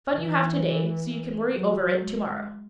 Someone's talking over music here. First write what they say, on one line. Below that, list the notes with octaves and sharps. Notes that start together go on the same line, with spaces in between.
Fun you have to-day so you can worry over it to-morrow.
E3
F#3
G#3